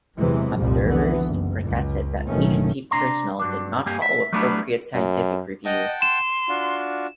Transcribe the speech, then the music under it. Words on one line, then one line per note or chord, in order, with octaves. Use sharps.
Observers protested that agency personnel did not follow appropriate scientific review.
E2 C3 E3 F#3 G#3
F1 C2 F2 A#2 F3 G3
D3 E3 B3
F#1
C#2
F#1 B2 D#3 A3 C#4
C3 D4 A#5 C6
G2 F#3 D4
G2 A#3 G4 G#5
E5
F#3 G3 A3 B3 D4 E4
F#2
D#5 F#5 G5 A5
C6 E7
D4 F4 F#4